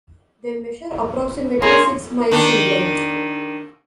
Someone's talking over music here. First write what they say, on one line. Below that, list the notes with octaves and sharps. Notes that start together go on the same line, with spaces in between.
They measure approximately six miles in length.
A#3 G#4 C#5 C6
D#3 D4